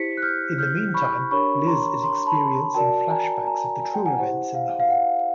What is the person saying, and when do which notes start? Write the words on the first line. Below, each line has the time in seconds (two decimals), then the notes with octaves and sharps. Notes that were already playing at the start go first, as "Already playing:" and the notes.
In the meantime, Liz is experiencing flashbacks of the true events in the hole.
Already playing: E4 G4 C5 B6 C#7
0.17 F#6
0.22 F6 G6
0.58 F6 G6
0.94 B5 C#6
1.31 D4 G4 A#4 C#5 B5 C#6
1.67 A#5 C6
2.02 A#5 C6
2.27 A5 B5
2.74 F#4 A#4 D5 G5 A5
3.10 G#5 A#5
3.46 G#5 A#5
3.83 G#5
3.94 G5
4.06 F#5 G#5
4.18 E4 G4 C5 F#5
4.54 F5
4.80 F5
4.90 F#5